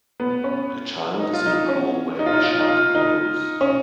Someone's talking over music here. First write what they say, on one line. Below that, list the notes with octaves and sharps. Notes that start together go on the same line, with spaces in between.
A child is in a pool wearing shark goggles.
B3
C#4
D#4
F4
D#4
C#4
D#4
F4
D#4
F4
D#4
F4
D#4
C#4